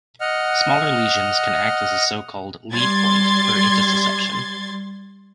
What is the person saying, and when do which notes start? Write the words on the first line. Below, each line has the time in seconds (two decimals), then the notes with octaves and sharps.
Smaller lesions can act as a so-called "lead point" for intussusception.
0.21 D#5 F#5 F6
2.73 G3 C6 G#6 A6